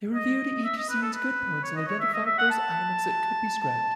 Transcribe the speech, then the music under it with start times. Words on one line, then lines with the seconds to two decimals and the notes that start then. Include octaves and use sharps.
They reviewed each scene's good points and identified those elements that could be scrapped.
0.15 D#5
0.64 E5
0.77 D#5
0.89 B4
1.02 A4
1.14 B4
1.63 C#5
1.76 D#5
1.88 C#5
2.00 E5
2.13 D#5
2.26 E5
2.38 F#5
2.50 A5
3.62 A5